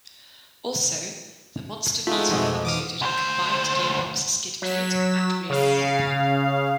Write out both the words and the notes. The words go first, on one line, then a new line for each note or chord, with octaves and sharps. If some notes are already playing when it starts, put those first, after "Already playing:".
Also, the Monster Beetle included a combined gearbox skid plate and rear bumper.
G#3 A3 B3 C4 D#4 F4
F2 G#2 B2 F3 F#4 D#5
E3 D6 D#6 F6
D2 C5
F#3 B6 E7
C#3 F5